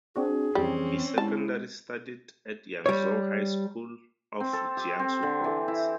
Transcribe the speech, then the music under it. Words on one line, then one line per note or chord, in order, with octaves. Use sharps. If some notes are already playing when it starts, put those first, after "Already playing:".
He secondary studied at Yangzhou High School of Jiangsu Province.
C4 D4 F#4 G#4
F2 E3 G3 C4 C#4
G#3 E4 A5
G3 C#5
C4
A4
G4
C4
D3
E3
E4